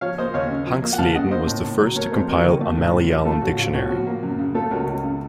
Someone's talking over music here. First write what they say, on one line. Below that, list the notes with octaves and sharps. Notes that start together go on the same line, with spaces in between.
Hanxleden was the first to compile a Malayalam Dictionary.
F3 C#5 F5
A#3 C5 D#5
D#2 C#5 F5
C#3
F3
A#3
F#5
D#2 F5 A5
C#3 D#5 F#5
A#3 C5 D#5
A2
A2
F#3
A3 A#4 C#5
F2 A4 C5
F2 F#4 A#4
D#3 F#4
A3 F4
A2
A2
F3
A3 F4 A4
A1 F#4
A1 F4
A2 F#4
F3 F#4
A#3
F#2
C#3
A3 F4 A4
C#2 F#4 A#4
C#2
C#3